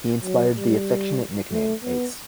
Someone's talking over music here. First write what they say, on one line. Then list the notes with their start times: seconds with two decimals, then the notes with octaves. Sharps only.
He inspired the affectionate nickname 'Ace'.
0.24 F#3
0.56 G3
1.52 A3
1.83 B3